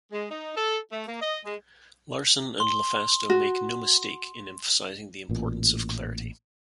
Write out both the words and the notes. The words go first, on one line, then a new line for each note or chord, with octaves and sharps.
Larson and LaFasto make no mistake in emphasizing the importance of clarity.
G#3
D#4
A4
A3
A#3
D#5
G#3
C6 G7
F#4
A1 A#2